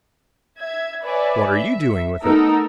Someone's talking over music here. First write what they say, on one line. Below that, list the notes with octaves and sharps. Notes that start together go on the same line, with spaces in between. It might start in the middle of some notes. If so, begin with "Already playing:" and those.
"What are you doing with it?"
E5 G#6
B4 C#5 D5 E5 G#5
E5
A3 B3 D#4 A4 A#4 E6